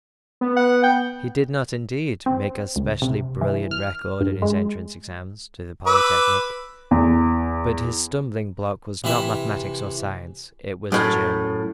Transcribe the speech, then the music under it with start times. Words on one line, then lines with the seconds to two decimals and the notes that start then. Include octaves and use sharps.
He did not, indeed, make a specially brilliant record in his entrance examinations to the Polytechnique; but his stumbling block was not mathematics or science, it was--German!
0.41 B3
0.57 F#5
0.83 G5
2.26 C4
2.76 C#2
3.02 C3
3.41 E3
3.71 F6
4.21 G2
4.42 G#3
5.86 B4 D6 E6
6.91 E2
9.04 C3 E3 E5
10.92 F#2 A2